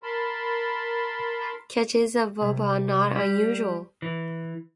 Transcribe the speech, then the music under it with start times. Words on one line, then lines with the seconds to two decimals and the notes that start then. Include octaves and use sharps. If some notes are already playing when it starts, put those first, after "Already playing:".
Catches above are not unusual.
0.03 A#4 A5 B5 C6
2.41 C2
3.15 G3
4.02 E3